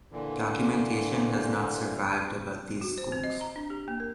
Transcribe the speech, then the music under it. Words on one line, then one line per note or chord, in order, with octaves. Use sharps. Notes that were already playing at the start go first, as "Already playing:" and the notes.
Documentation has not survived about these schools.
A#2 D3 E3
F#4
C5
C4
D#5
A#5
D4
G4
A#3
A#4